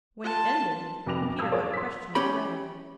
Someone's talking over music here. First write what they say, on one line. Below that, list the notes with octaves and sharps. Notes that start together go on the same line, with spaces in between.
When it ended Peter had a question all ready.
F4 A5
F1 F2 F#4 D6 A#6 F7
B2
F5 A5 D#6 E6 G#6
F4 G#4 C#5 D5
C6 B6
C#4 G4 B5